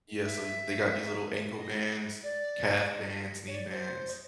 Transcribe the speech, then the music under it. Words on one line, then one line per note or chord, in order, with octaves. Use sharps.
Yeah, so you they got these little ankle bands, calf bands, knee bands,
E5
D#5
D5
D5
D#5
C#5
D5
C5
D#5